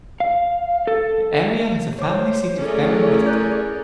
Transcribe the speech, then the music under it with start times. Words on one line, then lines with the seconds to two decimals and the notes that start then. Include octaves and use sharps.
The area has the family seat of Baron Rathdonnell.
0.20 F5
0.87 A4
1.99 C5 C#5 D6
2.59 A3 C#4 E4 G#4 A#4 D5
3.26 A#5 F#6 G6